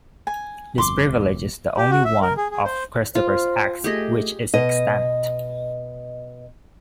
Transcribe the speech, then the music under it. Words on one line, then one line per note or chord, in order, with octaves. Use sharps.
This privilege is the only one of Christopher's acts which is extant.
G#5
G1 F2 C6 D6
E1 C#2
G4
F#4
E5
A#4
G#4
G#4
C5
F4 C5
A3 G4 G#4 D#5
B2 D#5